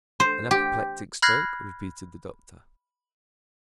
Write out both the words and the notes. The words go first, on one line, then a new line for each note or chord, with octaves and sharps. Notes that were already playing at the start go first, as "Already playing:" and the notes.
"An apoplectic stroke?" repeated the doctor.
C5
G4
B5 F6 F#6 G#6 A#6 C7